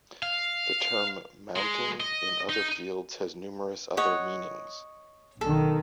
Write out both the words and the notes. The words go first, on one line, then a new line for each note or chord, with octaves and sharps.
The term mounting in other fields has numerous other meanings.
F5
G#3
D#5
D#4
C#5 D#5 F#5
B1 D#3 A4